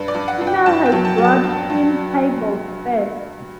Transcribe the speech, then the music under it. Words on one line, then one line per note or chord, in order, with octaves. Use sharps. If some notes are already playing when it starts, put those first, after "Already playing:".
Female has broad hind tibial spur.
Already playing: G2 B4
D5
G2
F#5
G2
G5
G2 A5
G5
F#3
A5
F#3
A5
G2
G2